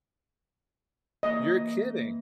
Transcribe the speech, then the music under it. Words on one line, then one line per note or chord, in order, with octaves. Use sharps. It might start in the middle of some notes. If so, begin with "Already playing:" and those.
You're kidding!
E3 A#3 D#5